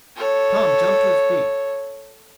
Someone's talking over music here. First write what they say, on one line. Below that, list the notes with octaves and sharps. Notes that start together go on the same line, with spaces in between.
Tom jumped to his feet.
A4 C#5